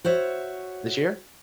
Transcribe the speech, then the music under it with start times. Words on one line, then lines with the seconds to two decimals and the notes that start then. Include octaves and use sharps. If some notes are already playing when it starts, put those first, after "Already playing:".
This year?
0.04 F#4 C5 C#5 E5